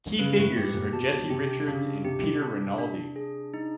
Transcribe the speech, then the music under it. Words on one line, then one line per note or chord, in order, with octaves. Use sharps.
Key figures are Jesse Richards and Peter Rinaldi.
C#3 B4
A2
G#2 G4
A#2
B2 A5
C3 G4
C#3 D4
C3 G4
D4
D4
G#4
D#4